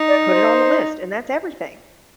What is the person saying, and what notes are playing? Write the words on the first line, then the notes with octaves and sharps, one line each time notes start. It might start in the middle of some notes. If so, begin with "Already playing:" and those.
put it on the list, and that's everything.
Already playing: D#4
D5
C5